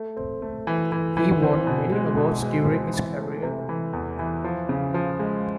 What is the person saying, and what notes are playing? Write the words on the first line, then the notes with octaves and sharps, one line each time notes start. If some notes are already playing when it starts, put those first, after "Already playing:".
He won many awards during his career.
Already playing: A3
C4
A3
E3
E3
E3
C4
B2
G#3
B2
G#3
C4
E3
A3
C3
E3
E2
E3
F3
C#3
F3
G#3